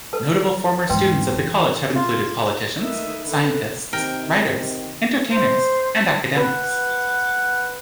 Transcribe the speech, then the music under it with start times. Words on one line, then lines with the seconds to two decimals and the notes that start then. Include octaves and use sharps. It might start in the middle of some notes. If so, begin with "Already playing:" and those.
Notable former students of the college have included politicians, scientists, writers, entertainers and academics.
0.13 A4 B4 A5
0.90 E2 G#2 B4 G5 C6
1.33 F#2 E3
1.96 F4
2.79 D#3 A3 A#3 B4 D#5 E5
3.21 D3 A4 B4
3.93 C3 D#3 A#4 G5
5.30 C5
6.36 B4 F#5